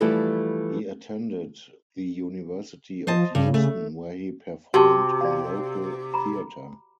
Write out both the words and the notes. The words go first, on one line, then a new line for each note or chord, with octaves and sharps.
He attended the University of Houston, where he performed in local theatre.
E3 F3 G3 A3 E4 A4
F3 C5 D#5 A5
G2 C#3
A3
C3 F#4 G4 A5
D5 F5
A#5 B5